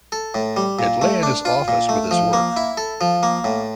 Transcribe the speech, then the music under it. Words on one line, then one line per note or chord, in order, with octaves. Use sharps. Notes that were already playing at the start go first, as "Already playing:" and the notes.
It lay in his office with his Work.
A4
A2
G3
A#2
A3
D4
F4
A#2
A3
F3
A#3
E4
A4
F3
A#3
A2